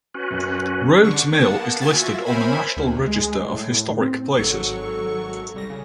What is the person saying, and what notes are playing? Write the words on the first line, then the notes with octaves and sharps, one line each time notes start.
Rhodes Mill is listed on the National Register of Historic Places.
C#4 F#4 B4
F#2
D3 D4 C#6
A#3 B3 F#5 A5
G#5 C#6 G#6 A6 B6
F4 F#4 E5
A#4 C5 C#5 E5 G#5 B5
D2
G#3
A2
C4
G#1 F#3 A4 C#6
C2 G3 A#6
C#3